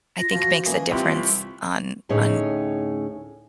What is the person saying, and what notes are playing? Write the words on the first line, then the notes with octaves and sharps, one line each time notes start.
I think, makes a difference on on
F4 A#6
F3 F4 F#4
E3 A#3 C#4 D#5 G#5
C2 F4 G4 C6
D2 A2 C#4 D#4 G#4 C#5